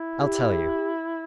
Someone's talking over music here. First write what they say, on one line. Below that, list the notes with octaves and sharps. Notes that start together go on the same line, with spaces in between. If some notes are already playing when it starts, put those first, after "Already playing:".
I'll tell you.
Already playing: E4
G4